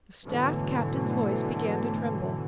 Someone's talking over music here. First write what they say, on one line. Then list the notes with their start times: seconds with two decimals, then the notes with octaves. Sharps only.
The staff captain's voice began to tremble.
0.24 G#2 B2 D3 E3 F#3 A3